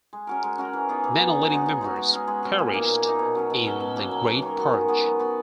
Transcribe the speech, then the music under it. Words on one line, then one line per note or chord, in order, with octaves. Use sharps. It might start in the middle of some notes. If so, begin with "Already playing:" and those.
Many leading members perished in the Great Purge.
G#3
C#4 F#4 A#4
G#3
C#4 F#4 A#4
E3
B3 D#4 G#4
E3
B3 D#4 G#4
C#3
G#3 D#4 F#4
C#3
G#3 D#4 F#4
G#3
C#4 G#4
G#3
C#4 G#4
A#2
A#3 D#4
A#2
A#3 D#4
B2
F#3 C#4 F#4
B2
F#3 C#4 F#4
B2
F#3 A#3
B2
F#3 A#3
D#3
G#3 B3 F#4
D#3
G#3 B3 F#4
F#3
B3 F#4